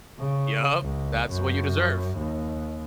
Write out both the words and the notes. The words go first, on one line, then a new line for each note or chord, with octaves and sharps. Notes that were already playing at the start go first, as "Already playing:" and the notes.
Yup. That's what you deserve.
C#3
C#2
F#2
D#2